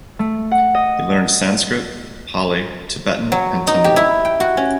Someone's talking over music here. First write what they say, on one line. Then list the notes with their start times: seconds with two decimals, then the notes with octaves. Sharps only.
He learned Sanskrit, Pali, Tibetan and Tamil.
0.19 A3
0.51 F#5
0.75 D#5
3.32 F#3
3.67 D#4
3.84 G4
3.96 E4
4.25 G5
4.40 F#4
4.57 C#4